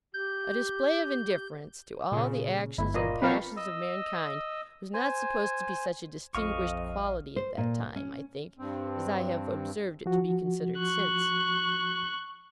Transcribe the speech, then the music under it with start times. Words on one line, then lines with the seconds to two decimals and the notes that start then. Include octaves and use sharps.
A display of indifference to all the actions and passions of mankind was not supposed to be such a distinguished quality at that time, I think, as I have observed it to be considered since.
0.14 G4 G6
2.12 A#2 C#3
2.78 G1 E4
2.94 A#2 A#3 D#5
3.22 F3 A#3 C4 B4 F5 C#6
3.57 D#5 E6
4.94 C5 G#5
6.35 A#1 F2 D#5 F5 C#6
7.36 C5
7.58 A#2
7.96 C#4
8.59 G2 C4
10.06 F3 F#4
10.78 C#6 F#6